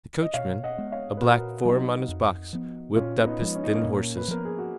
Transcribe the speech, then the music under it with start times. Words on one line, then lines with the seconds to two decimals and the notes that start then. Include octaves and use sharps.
The coachman, a black form on his box, whipped up his thin horses.
0.22 D#5
0.34 B2 C#5 F5
0.64 D#5 F#5
0.78 G#3 B3
0.92 C#5 F5
1.17 B4
1.22 A#2 F#4 A#4
1.65 F#3 B3 D#4 F#4
2.09 F2
2.53 F3 B3
2.96 A#2 C#4 F4
3.25 B3 D#4
3.40 F3 G#3
3.55 C#4
3.64 D#4
3.73 A#3 C#4
3.85 A#2
4.17 B4
4.28 F3 B3 A#4
4.45 G#4
4.58 F#4